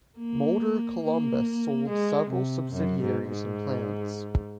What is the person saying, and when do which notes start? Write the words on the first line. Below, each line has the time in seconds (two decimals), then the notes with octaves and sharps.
Motor-Columbus sold several subsidiaries and plants.
0.18 A#3
1.04 A#3
1.89 G#3
2.31 C3
2.73 F#2
3.02 G#2
3.30 G#2